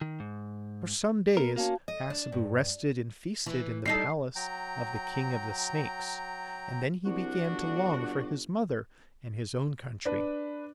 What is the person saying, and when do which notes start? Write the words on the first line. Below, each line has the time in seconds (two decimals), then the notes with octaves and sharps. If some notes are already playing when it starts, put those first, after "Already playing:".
For some days Hassebu rested and feasted in the palace of the King of the Snakes, and then he began to long for his mother and his own country.
0.01 D#3
0.20 G#2
1.37 B3 A#4
1.56 A#3 C#4 F#4 F5 A5
1.88 D#5
2.10 D4
2.32 G2
3.46 E3
3.86 G3 D#4 A4 C7
4.36 F#3 G5 A#5
7.05 C2 D4 F#4
7.50 G1
10.05 D4 B4 D5